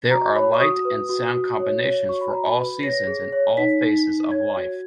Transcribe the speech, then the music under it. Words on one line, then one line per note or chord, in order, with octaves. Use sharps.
There are light and sound combinations for all seasons and all phases of life.
F#4 A#5
C#5 B5
C#6
F#4 D#6
B4
F#4
F#4
C#5
C#5
F#4 C#6
B5
F#4 A#5
B5
B4
C#5 A#6
G#4
C#5
D#4 B6
D#4
D#4
C#5 G#6
F#4